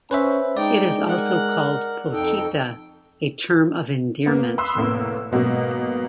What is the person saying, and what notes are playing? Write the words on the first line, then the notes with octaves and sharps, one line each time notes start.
It is also called "polquita", a term of endearment.
C#4 B4 C5 E5
G#3 D#4 D5 G5
A#4 F#5
F2 D#4 A4 G5
A#3 B3
B5 C6 D#6 E6 F#6
F1 A2 A#3 B3
G#2 B2 F#3 A#3